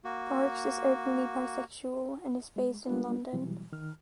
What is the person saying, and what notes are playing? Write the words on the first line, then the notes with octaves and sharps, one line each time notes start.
Parks is openly bisexual and is based in London.
A#3 F#4
G#3
G3 G#3 A#3 B3 D4 F4
B2 E3 F#3 G3
D#3 F6